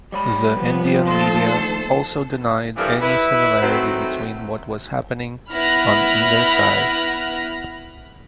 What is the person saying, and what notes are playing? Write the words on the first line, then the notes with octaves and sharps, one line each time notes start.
The Indian media also denied any similarity between what was happening on either side.
G3 G#3 C#5 B5
F3 B3
D#2 A3 A4 C5 C6
G2 E3 F3 A4 A#4 D5
E4 B4
D#3 F#3 A3 C4
B3 E4 B5 F6 F#6 A#6